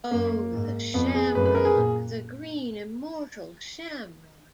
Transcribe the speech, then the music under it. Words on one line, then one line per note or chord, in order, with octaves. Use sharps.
Oh the Shamrock, the green immortal Shamrock!
F#2 A#3
G#2
F2 B3
G#4
F#2 B4
B4
A#4
G#4
A#2